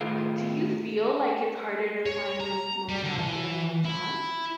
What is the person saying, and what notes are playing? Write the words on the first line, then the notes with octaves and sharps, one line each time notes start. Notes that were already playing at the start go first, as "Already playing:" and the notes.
Do you feel like it's harder to find remote jobs that are hands on?
A2 D#3 F4 G#4 A4 F5
C#5
A#5
G3
D3
E3
E4